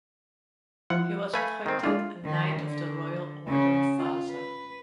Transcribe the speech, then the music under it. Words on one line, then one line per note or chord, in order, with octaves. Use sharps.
He was appointed a Knight of the Royal Order of Vasa.
F3 E4 F4 F#5
A3 B4 F5 G#5 B5
D#3 C4
G#3 D4 E4 F4
D#3
D3
C#3
F4
B4